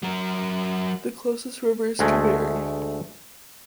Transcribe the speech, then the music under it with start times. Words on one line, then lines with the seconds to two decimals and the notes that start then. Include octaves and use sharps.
The closest river is Kaveri.
0.02 F#3 A#4
1.99 D2 G#3 A3